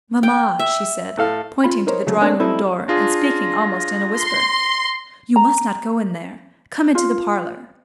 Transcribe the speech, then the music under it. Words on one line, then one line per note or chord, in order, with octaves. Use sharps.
"Mamma," she said, pointing to the drawing-room door, and speaking almost in a whisper, "you must not go in there; come into the parlour."
G5
E5
A2 A4 F5
F4 B5
D#4 A#4 C5 C#5
C#3 F#3 A3
A3 A#3 C4 D4 C#5
G3 A3 C4 D#4 E4 A4
D4 F4 G#4 A#6
C6
A#5
F4